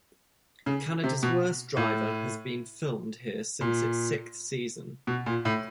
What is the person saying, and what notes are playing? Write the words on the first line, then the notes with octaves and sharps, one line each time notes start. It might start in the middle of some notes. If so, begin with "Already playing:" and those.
Canada's Worst Driver has been filmed here since its sixth season.
C#3
C3
B2
A2
A#2
B2
A#2
A2